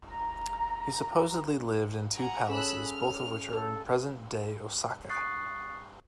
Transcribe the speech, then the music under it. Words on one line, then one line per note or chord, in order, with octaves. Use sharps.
He supposedly lived in two palaces both of which are in present-day Osaka.
A#5
F#5 G#5 A#5
C#4 G#4 A4 B5 E6 F#6
F6
A4
C#6 D#6 F#6 A6 C7